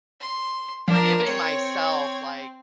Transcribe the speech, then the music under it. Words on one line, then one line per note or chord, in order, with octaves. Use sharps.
forgiving myself, like
C6
F3 D4 A#4
C4 C#5